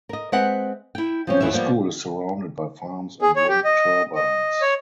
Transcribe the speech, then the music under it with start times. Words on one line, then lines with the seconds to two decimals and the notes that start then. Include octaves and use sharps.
The school is surrounded by farms and wind turbines.
0.09 A#4 D#5
0.32 G#3 C4 B4 E5 F#5
0.95 E4 G5
1.27 F3 C4 C#4
1.41 D#2 E3 E5
1.53 F3 G3 A#3 B3
3.22 G#4
3.36 C#5
3.49 G4
3.64 D#5
4.15 D#5
4.62 C#5